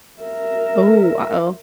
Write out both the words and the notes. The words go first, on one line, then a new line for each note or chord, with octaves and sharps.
Oh, uh-oh.
A#4 E5